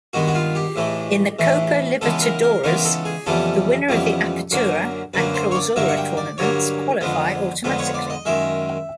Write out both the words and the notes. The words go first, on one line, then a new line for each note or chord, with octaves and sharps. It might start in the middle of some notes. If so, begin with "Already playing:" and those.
In the Copa Libertadores, the winner of the Apertura and Clausura tournaments qualify automatically.
G2 D#3 G#3 B3 F#4
F#4
F4
G4
A2 E3 A3
A2 E3 A3
C#3 E3 G#3 B3 A4
A#4
A#4
C#3 E3 G#3 B3 A#4
A4
G#4
F2 C#3 E3 G3 B3 A4
F2 C#3 E3 G3 B3
F#2 D3 F#3 A#3
F#2 D3 F#3 A#3 B4
C5
C#5
D5
G2 D3 F#3 A#3 E5
F#5
G5
D5
G2 D3 F#3 A#3 C#5
F2 D3 F3 G#3 B3
F2 D3 F3 G#3 B3
C#5
D5
D#5
F#2 D#3 G#3 E5